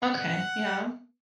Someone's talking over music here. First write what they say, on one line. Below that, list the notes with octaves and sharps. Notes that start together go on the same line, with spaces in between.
Okay, yeah.
F#5